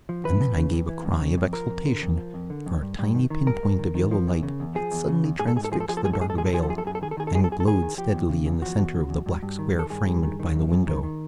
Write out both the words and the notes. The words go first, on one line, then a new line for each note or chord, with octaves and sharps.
And then I gave a cry of exultation, for a tiny pinpoint of yellow light had suddenly transfixed the dark veil, and glowed steadily in the centre of the black square framed by the window.
F3
E3 B4
F2
C#3
F2
E3
F2
C#3
F2
F3 A#4
F2
D3
F2
F3
F2
D3
F2
G2
G2
D#3
D#3
G2 A#4
G2
D#3
D#3
F3
E2
C#3
E2
F3 G#4
E2
C#3
E2
G#2 G#4
A4
G#2 G#4
A4
F3 G#4
A4
F3 G#4
A4
G#2 G#4
A4
G#2 G#4
A4
F3 G#4
A4
F3 G#4
A4
F#2 G#4
A4
F#2 G#4
A4
D#3 G#4
A4
D#3 G#4
A4
F#2 G#4
A4
F#2 G#4
A4
D#3 G#4
D#3
F3 G4
E2
C#3
E2
F3 F#4
E2
C#3
E2
G2
G2
D#3
D#3 A4
G2 G#4
G2
D#3
D#3
F#2
F#2
D#3
D#3